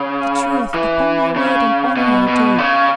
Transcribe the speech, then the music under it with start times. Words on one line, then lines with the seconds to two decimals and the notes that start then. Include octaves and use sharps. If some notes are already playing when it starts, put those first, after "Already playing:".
'The truth, upon my word and honour I do.
Already playing: C#3
0.74 E3
1.36 C#3
1.97 B2
2.27 B2
2.58 C#3